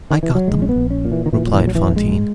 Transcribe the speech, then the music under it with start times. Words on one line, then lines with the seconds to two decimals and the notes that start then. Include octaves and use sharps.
"I got them," replied Fantine.
0.11 D#3
0.23 E3
0.35 F#3
0.48 A#1 G#3
0.62 C#4
0.69 B3
0.76 A#1
0.90 C#4
1.05 A#2
1.12 E3
1.26 D#3
1.33 A#2 E3
1.47 F#3
1.53 E3
1.61 A#1
1.67 F#3
1.75 E3
1.89 A#1
1.96 G#3